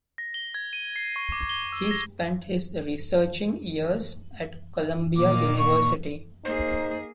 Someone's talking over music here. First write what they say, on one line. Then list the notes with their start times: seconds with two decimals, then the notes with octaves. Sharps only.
He spent his researching years at Columbia University.
0.18 A#6
0.34 G7
0.54 G#6
0.73 D#7
0.96 C7
1.16 C#6
1.32 D6
1.49 G7
1.72 E6
1.91 A#6
5.16 A#2 D#3 A#3 D6
5.58 C#6
6.45 A#3 D#4 G#4 C5